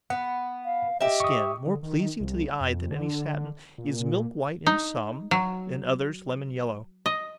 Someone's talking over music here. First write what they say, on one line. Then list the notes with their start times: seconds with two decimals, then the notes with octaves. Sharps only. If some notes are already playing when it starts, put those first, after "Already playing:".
The skin, more pleasing to the eye than any satin, is milk-white in some, in others lemon-yellow.
0.10 B3 F#5
0.65 F5
1.01 G4 D#5 E5
1.20 C#6 D#6
1.66 D3
1.83 D#3
2.20 C2
2.60 F2
2.91 D3
3.78 A#2
4.66 D#4
5.31 F#3
7.06 D#5